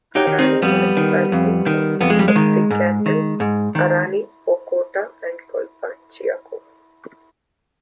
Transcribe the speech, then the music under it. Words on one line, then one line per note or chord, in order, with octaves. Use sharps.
Arani Municipality consists of three cantons, Arani, Pocoata and Collpaciaco.
D#4 G4
D#3
C4 D#4
F2 G3 B3
D#3
F2
D#3
F2 B3
G#3
G3
G#3
D#3
G#2
D#3
G#2
D#3